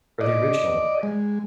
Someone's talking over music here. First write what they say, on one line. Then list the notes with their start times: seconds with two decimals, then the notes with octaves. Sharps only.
or the original was live?
0.21 D5 D#5
1.03 G#3